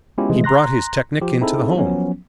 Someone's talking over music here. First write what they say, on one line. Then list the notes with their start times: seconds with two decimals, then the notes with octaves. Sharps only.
He brought his technic into the home.
0.18 G#3 B3 C#4 E4 F4 G4
0.30 C3 E3 F3 G#3 A3
0.44 A#5 C6 F#6 A#6
1.21 F3 F4 G4
1.41 C4 D#4 E4 G#4 A4
1.75 F3 F#3 B3 C#4